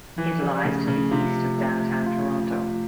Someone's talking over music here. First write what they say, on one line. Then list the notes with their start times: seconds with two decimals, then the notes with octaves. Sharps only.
It lies to the east of Downtown Toronto.
0.17 E3 F3
0.41 G3
0.64 C#3 A3
0.88 C#3
1.11 C3 F4
1.58 A3
2.06 F4
2.53 F4